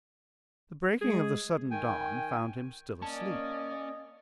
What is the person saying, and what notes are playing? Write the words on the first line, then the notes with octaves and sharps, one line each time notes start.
The breaking of the sudden dawn found him still asleep.
G#3 G#4
D#3 G5 G#5
A#3 C#4 D5 D#5 A5